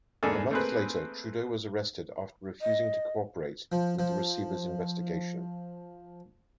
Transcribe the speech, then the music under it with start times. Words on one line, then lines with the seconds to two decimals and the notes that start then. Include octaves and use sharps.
A month later Trudeau was arrested after refusing to cooperate with the receiver's investigation.
0.23 E2 G#2 A#3 D4 G#4 A4
0.51 A3 A#3 C4 G#4 B4
2.62 D#5
3.72 F3
3.99 F3